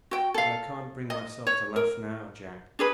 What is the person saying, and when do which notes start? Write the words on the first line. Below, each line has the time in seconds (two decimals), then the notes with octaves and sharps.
But I can't bring myself to laugh now, Jack.
0.11 F#4 G5
0.34 A4 F5
1.10 D#5
1.47 C#5
1.76 A#4
2.79 D4 G#4 B4